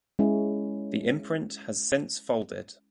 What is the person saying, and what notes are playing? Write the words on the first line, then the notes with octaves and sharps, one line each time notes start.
The imprint has since folded.
G#3 C#4 E4